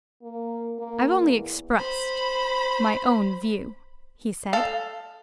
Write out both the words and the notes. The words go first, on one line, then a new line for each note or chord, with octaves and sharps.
"I've only expressed my own view," he said.
A#3
A#3
E2
C5 B5
A4 F5